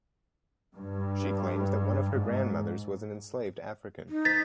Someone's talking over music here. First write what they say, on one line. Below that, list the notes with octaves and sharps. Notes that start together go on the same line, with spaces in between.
She claims that one of her grandmothers was an enslaved African.
G2
G#2
D#4
A6 B6